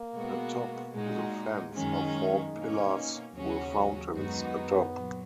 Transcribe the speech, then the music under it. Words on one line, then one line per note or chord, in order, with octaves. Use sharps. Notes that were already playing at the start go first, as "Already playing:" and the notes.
Atop the fence are four pillars with fountains atop.
Already playing: A#3
B2 G#3 B3 F#4
A#2 G#3 D#4 F#4
F#2 D#3 G#3 C#4 D#4
B2 A#3 C#4
D#2 C#3 F#3 C#4 F#4
F#2 D#3 G#3 B3 D#4 F#4
A#2 F#3